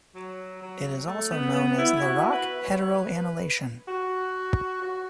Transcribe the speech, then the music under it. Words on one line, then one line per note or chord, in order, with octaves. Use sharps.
It is also known as Larock heteroannulation.
F#3
F#3
A3
B3
B3
E4
F#4
B4
C#5
B4
F#4
F#4